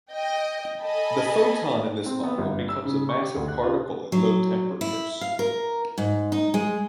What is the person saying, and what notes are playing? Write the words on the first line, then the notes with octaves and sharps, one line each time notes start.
The photon in this model becomes a massive particle at low temperatures.
D#5 G5
A4 D#5 G#5 A5 B5
C4
B3
G1
E6
C#3
C#6
G4
D2
F#6
F4
F#3
E4
F5
A#4
G#2
D#4
G#3